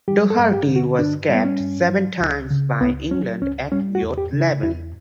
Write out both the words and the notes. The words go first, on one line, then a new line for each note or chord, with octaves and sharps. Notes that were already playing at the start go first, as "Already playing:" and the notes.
Doherty was capped seven times by England at youth level.
G3 G4
A4
G2
G4
D3
F#4
G2 D4
G3 B3
C#4
G2
F#3
C#2
C#3
C#2 B3
F#3 C#4
C#2 C#4
G3 C#4
F#4
E2
G4
C#3
E4
E2 E4